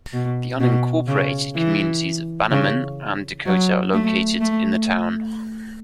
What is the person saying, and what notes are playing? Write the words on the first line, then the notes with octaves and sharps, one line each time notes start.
The unincorporated communities of Bannerman and Dakota are located in the town.
B2
B2
C#3
E3
C#3
F#3
A3
A3